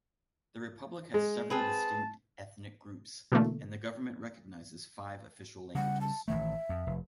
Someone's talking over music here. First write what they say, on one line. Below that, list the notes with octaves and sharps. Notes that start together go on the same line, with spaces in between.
The republic has several distinct ethnic groups, and the government recognizes five official languages.
G#3
C4 G#4 B4 A5
B2 D3 E3 A3 A#3
C#3 G3 F#5
A5
A1 D#3 A3 E5
F2
F1